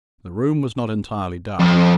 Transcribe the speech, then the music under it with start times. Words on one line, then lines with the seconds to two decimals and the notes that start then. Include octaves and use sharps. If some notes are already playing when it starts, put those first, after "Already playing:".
The room was not entirely dark.
1.60 F2